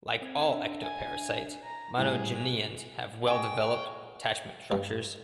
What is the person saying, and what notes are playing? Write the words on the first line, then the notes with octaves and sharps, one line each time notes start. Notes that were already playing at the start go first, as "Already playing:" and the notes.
Like all ectoparasites, monogeneans have well-developed attachment structures.
C4 G#6
D4 E5
G#5
A#5
A2 G3 E4 G#4
F#4 G#4 G5
G2